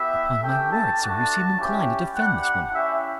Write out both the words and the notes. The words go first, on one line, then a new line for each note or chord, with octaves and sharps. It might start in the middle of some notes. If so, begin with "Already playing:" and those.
"Upon my word, sir, you seem inclined to defend this woman!"
Already playing: B3 E4 G4 E5
A3 C#4 G4 G5
A5
A3 D4 F#4 A5
C#4 E4 G4
G3 D4 G4 F#5
C#4 E4 G4 E5